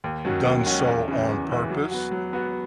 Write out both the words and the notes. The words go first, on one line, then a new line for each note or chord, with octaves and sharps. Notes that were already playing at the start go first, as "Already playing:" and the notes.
done so on purpose.
D#2
D#3 F#3 C#4 F#4
D#2
D#3 F#3 C#4 F#4
E2
C#3 E3
E2
C#3 E3
F#3
B3 F#4
F#3
B3 F#4